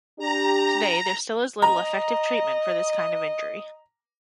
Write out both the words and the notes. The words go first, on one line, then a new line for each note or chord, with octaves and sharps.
Today, there still is little effective treatment for this kind of injury.
D4 G4 A#5
D#5 A#5